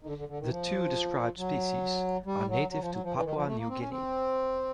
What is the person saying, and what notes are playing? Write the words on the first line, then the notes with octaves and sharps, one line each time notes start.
The two described species are native to Papua New Guinea.
D#3
D3
D3
D3
D#3
E3
F3
F#3
G3
F#3
F#3
F3
F#3
F3
E3
D#3
F3
A3
A#3
C4
C#4
C4